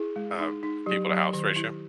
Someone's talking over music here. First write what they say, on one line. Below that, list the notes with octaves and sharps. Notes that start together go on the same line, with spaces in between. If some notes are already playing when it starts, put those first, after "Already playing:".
uh, people to house ratio
Already playing: E4 G#4
G#3
D#4
D#4
F#3 G4
F#3
D#3
E4